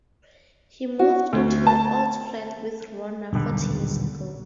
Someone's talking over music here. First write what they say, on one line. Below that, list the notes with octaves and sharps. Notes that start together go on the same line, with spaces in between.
He moved into the old flat with Rhona forty years ago.
F#4
D2
A5
D#1 B1 D3 G3